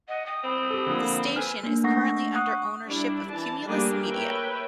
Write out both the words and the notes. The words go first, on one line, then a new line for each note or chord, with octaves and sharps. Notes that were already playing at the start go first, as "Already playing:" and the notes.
This station is currently under ownership of Cumulus Media.
D#5 F#5
G5 D#6
C4 B5
G4 A4
D3 F3 A#3
A4 B4 G#5 F6
A#3 D4
A3 D4 F#5 C#6 A#6
F#5 C#6 D#6 F#6
G3 D4 E4
E3 A5
G3 A3 A#3 D4 G4 G#4
A#4 B4 C#5 E5 G5